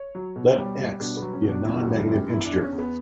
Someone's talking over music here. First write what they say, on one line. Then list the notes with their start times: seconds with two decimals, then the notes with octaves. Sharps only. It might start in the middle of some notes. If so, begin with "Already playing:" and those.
Let "X" be a non-negative integer.
Already playing: C#5
0.15 F#3
0.36 B2
0.58 G3
0.80 G3
1.00 B2 D4
1.17 B3
1.22 F#3
1.33 C#4
1.43 B2
1.49 D4
1.64 F#2 E4
1.81 F#4
1.87 G3
1.97 A4
2.08 F#2
2.13 G4
2.30 E2 E4
2.45 D4
2.51 E2
2.61 C#4
2.73 E2
2.78 B3